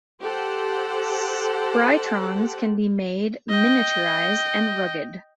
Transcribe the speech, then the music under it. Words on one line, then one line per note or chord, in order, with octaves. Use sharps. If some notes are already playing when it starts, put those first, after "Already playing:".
Sprytrons can be made miniaturized and rugged.
G4 A4 C5 F#5
D#5 G5